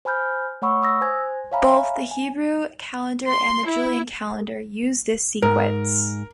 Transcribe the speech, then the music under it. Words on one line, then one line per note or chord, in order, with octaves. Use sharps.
Both the Hebrew calendar and the Julian calendar use this sequence.
C5 G#5 B5 F6 G6
A3 C#5 F#5 B5 C#6 E6
D#6 E6 A#6
C5 G#5 G#6
C#5 E5 F5 G#5 A#5 B5
G#5
C6
E4
G#2 A#4